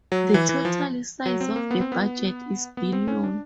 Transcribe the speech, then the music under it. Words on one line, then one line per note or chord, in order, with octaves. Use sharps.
The total size of the budget is billion.
F#3
E3
E3
F3
F#3
C4
A#3
B3
C4
B3
B3
C4
C#4
D4